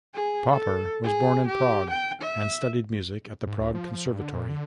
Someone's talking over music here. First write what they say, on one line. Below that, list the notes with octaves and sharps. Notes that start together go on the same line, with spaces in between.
Popper was born in Prague, and studied music at the Prague Conservatory.
G#4
A4
G#4
G4
G5
E5
G#2
D2
F3
F3
G2
D3
A#2
D3